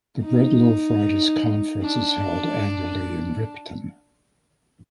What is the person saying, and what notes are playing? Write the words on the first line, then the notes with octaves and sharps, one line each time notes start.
The Bread Loaf Writers' Conference is held annually in Ripton.
D#4
D4